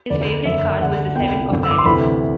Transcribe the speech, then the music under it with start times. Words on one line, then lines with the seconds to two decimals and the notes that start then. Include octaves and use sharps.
His favourite card was the seven of diamonds.
0.10 D2 D3 D5
0.45 F#1 F#2 D3 E5
0.80 D2 D3 F#5
1.15 C2 B2 G5
1.51 G1 F#2 D3
1.63 E6
1.71 D6
1.78 C6
1.86 D2 C3 E3 B5